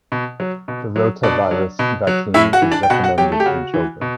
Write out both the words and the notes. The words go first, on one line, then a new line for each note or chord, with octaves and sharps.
The rotavirus vaccine is recommended in children.
B2
F#3
B2
F#3
B2 D4 D5
F#3
B2
F#3
A2 E4 E5
F#4 F#5
E3
D4 D5
G5
B2 F#4 F#5
F#4 F#5
F#3 G4 G5
A3 A4
G4
C#3 F#4
E3
B2